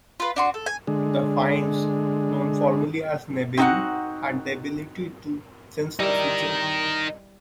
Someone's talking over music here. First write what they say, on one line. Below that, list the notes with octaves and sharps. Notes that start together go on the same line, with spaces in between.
The Fiends, known formally as Neberu, had the ability to sense the future.
F4 B4
D4 F#4 C6
A4
G#5
D3 G#3
C4 D#4 E4 F#4 F#5
G3 D#4 E4 A#4